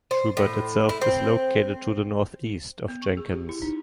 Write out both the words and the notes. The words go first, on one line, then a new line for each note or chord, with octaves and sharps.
Schubert itself is located to the northeast of Jenkins.
C5
A2
E4
C4
B3
C#6
G#4
G4
E4
D#4